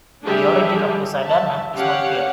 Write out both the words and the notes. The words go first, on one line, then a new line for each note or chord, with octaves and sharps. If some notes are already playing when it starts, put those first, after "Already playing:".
The origin of the sardana is not clear.
G3 A3 D4 G4 G#4 E5
E5 A5
C#4 G4 C#5 F5 F#5